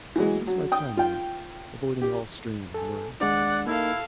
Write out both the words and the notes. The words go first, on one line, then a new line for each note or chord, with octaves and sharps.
What is my time-limit, avoiding all strain and worry?'
E3 F#3 G#3
F#3
G5 D#6
F4 G5
G4
A4 G#5
D#2 G#3 D4 D5 F#5
A#3 D#4 E4 A4 A#4 F5